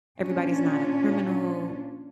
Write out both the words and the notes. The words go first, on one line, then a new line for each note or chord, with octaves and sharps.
everybody's not a criminal.
A#2 C#4 D4 F4